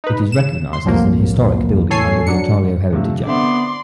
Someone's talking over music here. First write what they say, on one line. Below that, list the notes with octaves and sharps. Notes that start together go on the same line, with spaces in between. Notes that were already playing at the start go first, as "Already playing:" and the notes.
It is recognized as an historic building under the Ontario Heritage Act.
D#4 B4
E7
C6
C2 F2 A2 F3 F#3 A#3
E2 A2 A4 C#5 G#5 C7
F#3 D4 C#7
G2 C3 F3 A3
D3 B3 C4 D5 E5 C6